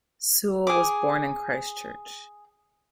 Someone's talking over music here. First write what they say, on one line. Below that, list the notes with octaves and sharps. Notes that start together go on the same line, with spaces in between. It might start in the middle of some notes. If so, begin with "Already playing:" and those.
Sewell was born in Christchurch.
G#4 D6